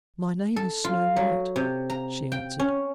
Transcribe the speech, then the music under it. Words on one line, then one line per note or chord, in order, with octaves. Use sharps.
"My name is Snow-white," she answered.
A4
F4
F#3
C3
A#5
G5
C#4